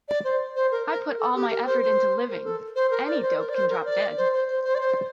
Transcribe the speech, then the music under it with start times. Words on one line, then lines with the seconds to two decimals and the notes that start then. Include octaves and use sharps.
I put all my effort into living; any dope can drop dead.
0.08 D5
0.24 C5
0.56 C5
0.71 A#4
0.87 A#4
1.18 A4
1.35 G4
1.50 A#4
1.66 C5
1.81 C5
2.29 A#4
2.44 A4
2.76 C5
2.91 A#4
3.07 D5
3.22 C5
3.38 A#4
3.49 D5
3.55 C5
3.70 A#4
3.85 D5
4.17 C5
4.33 C5
4.49 C5
4.64 C5
4.75 D5
4.80 C5